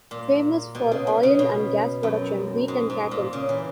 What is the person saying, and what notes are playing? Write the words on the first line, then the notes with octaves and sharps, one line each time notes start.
Famous for oil and gas production, wheat and cattle.
A#2
B2
C#3
B2
C#3
B2
F#2
G#2
G#2
A#2
C#3
E3